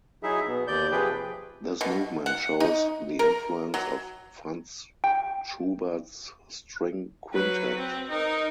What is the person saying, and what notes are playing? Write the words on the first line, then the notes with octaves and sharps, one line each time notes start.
This movement shows the influence of Franz Schubert's String Quintet.
F#3 D#4 E4 G#4 E5
B2 B3
D#2 D5 G6
C3 F3 G#4 B4 G5
B2
F#5
D#4
A#4
F#3
G5
F#3 B4
C4
D#4 A#4